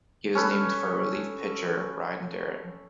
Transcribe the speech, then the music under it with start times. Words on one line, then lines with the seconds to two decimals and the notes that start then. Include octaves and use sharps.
He was named for relief pitcher Ryne Duren.
0.35 C#4 A4 B4